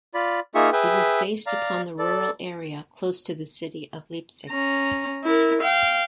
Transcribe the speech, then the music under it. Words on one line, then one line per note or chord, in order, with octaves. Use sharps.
It was based upon the rural area close to the city of Leipzig.
F4 D5 B5
A#3 D#4 F4 G#4 E5 C#6
G#4 B4 E5 G5
D5 F5 A#5
A4 D5
C#4 A#5
E4 A#4
F5 G5